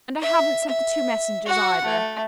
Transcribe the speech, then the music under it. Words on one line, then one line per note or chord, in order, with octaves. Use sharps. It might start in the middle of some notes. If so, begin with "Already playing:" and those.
And I haven't sent the two Messengers, either.
E5
E5
F#4 F#5
A3